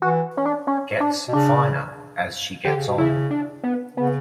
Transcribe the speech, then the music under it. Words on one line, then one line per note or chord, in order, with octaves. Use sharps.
Gets finer as she gets on.
E3 F#4
C#4
D4
C#4
D4
B2
C#3 D4
D3 G4
C#3
B2
C#3 E4
D4
B3
C#3 B3